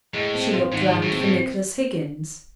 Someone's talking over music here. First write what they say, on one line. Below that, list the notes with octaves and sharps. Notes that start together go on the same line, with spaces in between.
She looked round for Nicholas Higgins.
A2 G#3
C4
F4
G#2 D#3
G#3
A2
C4
A2